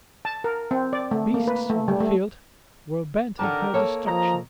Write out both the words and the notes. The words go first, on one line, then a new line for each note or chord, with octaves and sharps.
The beasts of the field were bent on her destruction.
A5
A#4
C4
D5
A3
A#3
B4
A3
G3
A3
D3 D#3 G4 A#4 A5
A#3 A4 C#5
F3 D#5 A#5